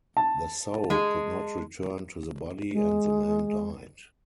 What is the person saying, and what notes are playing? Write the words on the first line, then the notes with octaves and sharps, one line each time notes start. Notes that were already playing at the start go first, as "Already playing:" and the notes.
The soul could not return to the body and the man died.
A5
G#3
G#3